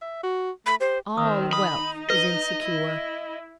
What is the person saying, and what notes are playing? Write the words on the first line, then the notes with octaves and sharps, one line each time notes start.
All wealth is insecure.
E5
F#4
A3 B5
G4 C5
D#3 C4 D#6 E6
D#4 B5 D#6
B4 D#5
E4